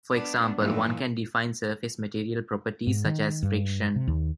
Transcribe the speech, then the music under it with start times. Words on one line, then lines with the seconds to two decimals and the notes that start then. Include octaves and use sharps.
For example, one can define surface material properties such as friction.
0.11 B3 D4
0.57 G2 A#2 E3 F3 D4 D#4
2.87 G#2
3.05 D#3
3.43 G2
3.96 C3
4.08 D#2